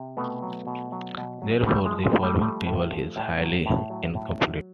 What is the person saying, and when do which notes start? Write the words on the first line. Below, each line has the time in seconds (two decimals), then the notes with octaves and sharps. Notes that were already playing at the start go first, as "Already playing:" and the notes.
Therefore, the following table is highly incomplete.
Already playing: C3
0.17 B2 A3 B3
0.42 F#3
0.67 B2
0.92 F#3
1.17 B2
1.42 F#3
1.66 A2 G3 A3
1.86 G#3
1.91 F3
2.04 G#3
2.17 A2
2.23 G3 A3
2.41 F3 G3 A3
2.66 A2
2.91 F3
3.16 A2
3.41 F#3
3.66 A2
3.90 F#3
4.15 A2
4.40 F#3